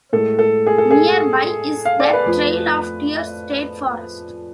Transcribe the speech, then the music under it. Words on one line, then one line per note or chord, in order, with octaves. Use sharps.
Nearby is the Trail of Tears State Forest.
A2 G#3 A4
A4
G#4
A4
G#4
F5
D5
B4
F2 F3 A3